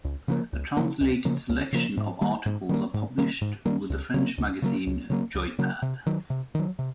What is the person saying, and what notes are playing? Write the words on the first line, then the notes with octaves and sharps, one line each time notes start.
A translated selection of articles are published with the French magazine "Joypad".
C#2
C#3 F3 A#3
C#2
C#3 F3 A#3
C#2
C#3 F3 A#3
C#2
C#3 F3 A#3
G#2
D#3 G3 A#3
G#2
D#3 G3 A#3
G#2
D#3 G3 A#3
G#2
D#3 G3 A#3
C#2
C#3 F#3 A#3
C#2
C#3 F#3 A#3
C#2
C#3 F#3 A#3
C#2
C#3 F#3 A#3
C3
D#3 F#3
C3
D#3 F#3
C3